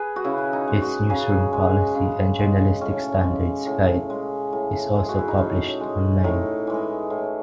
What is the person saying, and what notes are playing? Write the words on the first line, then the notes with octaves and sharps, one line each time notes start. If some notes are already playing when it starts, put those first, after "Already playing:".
Its newsroom policy and journalistic standards guide is also published online.
Already playing: G#4 B4
F#4
C#3 E4
D#4
G#3
F#4
C#3 G#4
G#3
C#3
G#3
A2 C#4
G#3
A2
G#3
A2
G#3 G#4
F#4
E4
D#4
A2 C#4
G#3
A2 D#4
E3 G#3
A2